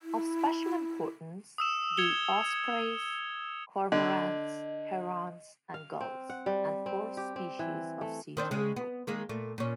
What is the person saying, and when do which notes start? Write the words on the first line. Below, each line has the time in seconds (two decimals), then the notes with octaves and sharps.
Of special importance: the ospreys, cormorants, herons, and gulls-and four species of sea turtles.
0.01 E4
1.58 D#6 E6 E7
1.97 G#6 C#7 F7 G7
3.92 D3 D#5
5.74 F5
6.01 C4
6.30 F#5
6.46 G3
6.86 C4
7.17 G4
7.36 C4
7.59 E3
8.01 A3
8.37 D#3 C4 D4
8.51 C#3 G#3
8.76 B3
9.07 D#3 G#3 A#3
9.29 A#2 A3
9.58 A#2 C#4